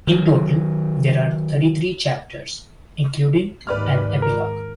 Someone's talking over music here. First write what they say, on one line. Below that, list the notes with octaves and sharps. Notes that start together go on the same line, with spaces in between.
In total, there are thirty-three chapters, including an epilogue.
D#3 F#3
D#2 G#2 B4 D5 F6
A#4